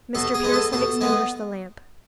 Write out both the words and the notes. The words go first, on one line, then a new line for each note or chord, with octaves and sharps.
Mr. Pearce had extinguished the lamp.
B2 A4
G#4
G#3 B3
A4
B2 A4
G#3 B3